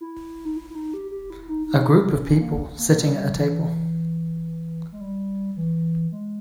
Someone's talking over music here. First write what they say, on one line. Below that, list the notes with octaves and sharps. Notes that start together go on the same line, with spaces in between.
A group of people sitting at a table.
E4
D#4
E4
E4
D#4
G4
G4
E4
D#4
D#4
E4
C#4
A#3
A#3
G3
E3
G#3
G3
E3
G#3